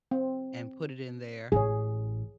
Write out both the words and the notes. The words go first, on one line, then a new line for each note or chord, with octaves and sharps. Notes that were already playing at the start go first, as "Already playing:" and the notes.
and put it in there.
C4
A1 G#4 C#5